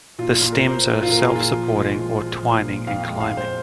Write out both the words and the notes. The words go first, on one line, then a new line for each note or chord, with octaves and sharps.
The stems are self-supporting or twining and climbing.
A#2 F4
F4
A#2
A#4
A#2
C5
A#2
F4
A#2 A#4
G#4
A#2
F4
F3
G#3
F3
F3
A#2
A#2
F2 F5
F5
G#3
F5
G#3
C5